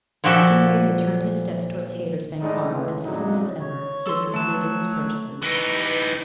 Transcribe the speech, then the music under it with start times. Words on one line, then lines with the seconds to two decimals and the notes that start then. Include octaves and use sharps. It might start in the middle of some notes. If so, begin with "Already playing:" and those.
Kinraid had turned his steps towards Haytersbank Farm as soon as ever he had completed his purchases.
0.24 A#2 F3 F#4 G4 A4
2.40 A2 G#3 D4 D#4
2.71 G#1 C#2 E3 G#3 A3
3.05 F2 A2 C#3 F#3 D4 D#4
3.60 C#5
4.07 A4 C6
4.33 F#3 A3 A5
5.43 E3 D#4 B4
5.73 G4